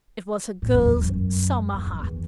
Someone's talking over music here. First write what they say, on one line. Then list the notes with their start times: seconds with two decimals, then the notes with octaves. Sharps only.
It was a girl's summer hat.
0.62 A2
0.74 F#2
0.85 E2
0.98 F#2
1.74 E2
1.86 F#2
1.99 E2